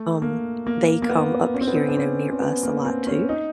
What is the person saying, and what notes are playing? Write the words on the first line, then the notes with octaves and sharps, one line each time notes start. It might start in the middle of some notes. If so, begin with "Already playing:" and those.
uh um, they come up here, you know, near us a lot too.
Already playing: A3
A#3
A#3
A#3
B3
C#4
C4
B3
C4
D4
C#4
C4
B3
A#3
C4
C#4
D#4